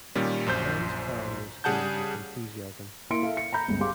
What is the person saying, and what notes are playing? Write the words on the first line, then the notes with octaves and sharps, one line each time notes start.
Anne’s plan was hailed with enthusiasm.
A#2 D#3 G3 C#4
A#1 F#2 C5 G6
C#3 G3 G#4 F#5 A5 G6
A#3 E4 C6 C#7 D7
A4 E5 F5
C#7
A#5 B5 G6
G1 C#2
G4 G#4 F5 C6 D6